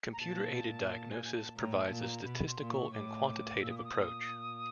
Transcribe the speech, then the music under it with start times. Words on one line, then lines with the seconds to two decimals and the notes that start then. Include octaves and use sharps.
Computer-aided diagnosis provides a statistical and quantitative approach.
0.13 A#5
0.20 A#2 A5
0.88 A5
1.11 G#5
1.24 G#5
1.34 A5
1.56 A2 A#5
1.79 A5
1.90 A#2
2.02 A#5
2.24 B2 B5
2.47 C6
2.59 A#2
2.70 C#6
2.92 A2 D6
3.61 A#2 E6
3.70 D#6
3.77 D6
3.84 D#6
3.96 A#2